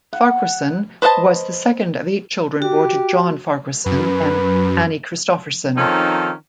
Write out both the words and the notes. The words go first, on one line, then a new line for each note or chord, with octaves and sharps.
Farquharson was the second of eight children born to John Farquharson and Anne Christopherson.
F#5
B4 C5 D#5 F5 A5
F#4 G4
F#2 B4
D#3 F3 C4 C#4 D#4 A4